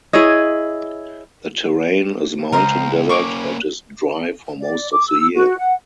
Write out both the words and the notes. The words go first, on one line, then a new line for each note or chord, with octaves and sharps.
The terrain is mountain desert and is dry for most of the year.
E4 G#4 C#5 D#5
C#2 A#4 C5 D#5
A#3 C#4 C#6 D6
D5
D6
E6
F#4
F#5